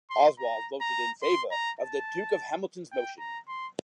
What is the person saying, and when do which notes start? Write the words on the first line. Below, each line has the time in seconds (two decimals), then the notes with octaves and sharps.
Oswald voted in favour of the Duke of Hamilton’s motion.
0.10 C6
0.39 A#5
0.81 A#5
1.23 C6
1.51 A#5
1.79 A5
2.92 G5
3.19 A#5
3.48 C6